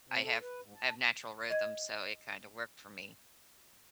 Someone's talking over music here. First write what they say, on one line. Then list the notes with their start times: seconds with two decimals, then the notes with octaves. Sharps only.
I have I have natural rhythm, so it kinda worked for me.
0.07 C3
0.24 A4
0.42 B4
0.61 G#2
0.76 A5
1.50 D#5 G#6